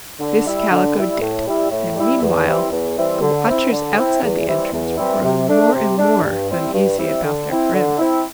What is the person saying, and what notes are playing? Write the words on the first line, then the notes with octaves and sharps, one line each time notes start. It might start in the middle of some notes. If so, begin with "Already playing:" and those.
This Kaliko did, and meanwhile the watchers outside the entrance were growing more and more uneasy about their friends.
D3
G3 E4
D3
G3 E4
A2
G3 E4
A2
G3 E4
E2
E3 G3 C4 E4
E2
E3 G3 C4 E4
D3
C4 E4
D3
C4 E4
E2
E3 G3 C4 E4
E2
E3 G3 C4 E4
C3
A3 D4
C3
A3 D4
G2
G3 C4 E4
G2
G3 C4 E4
D3
C4 E4
D3
C4 E4